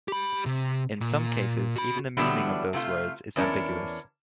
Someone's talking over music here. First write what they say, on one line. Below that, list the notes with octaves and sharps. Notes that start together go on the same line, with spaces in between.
In some cases even the meaning of those words is ambiguous.
G4 B5
C3
A#2
F#4 B5
D3 E3 F#3 G3 B3 D4
C3 A3 F4
E2 C#4 D4 A#4